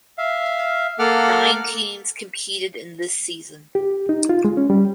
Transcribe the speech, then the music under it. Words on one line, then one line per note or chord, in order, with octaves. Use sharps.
Nine teams competed in this season.
E5 F5
A#3 A4 F#5 D6 F6
G4
D#4
F4
G#3
C#4
G3